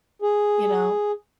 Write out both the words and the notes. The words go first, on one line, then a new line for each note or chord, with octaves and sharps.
you know?
G#4